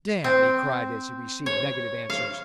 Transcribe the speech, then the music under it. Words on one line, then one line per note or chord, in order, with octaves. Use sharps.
"Damn!" he cried as he received negative answers.
C4
C#5
F5